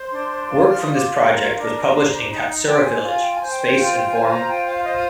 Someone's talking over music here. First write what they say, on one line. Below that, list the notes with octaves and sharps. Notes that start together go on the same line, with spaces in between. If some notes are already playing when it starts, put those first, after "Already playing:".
Work from this project was published in "Katsura Villa: Space and Form".
Already playing: C5 C6
D4
F4
F6
F4 D#6
D6
C6
A#4 A#5
D4
C5
D#4
C5 G5
G#5
F4 G#5
G5
G#5
C5
G5
F4
C5 G#5
A#5
F4 G5
F5
C5 D#5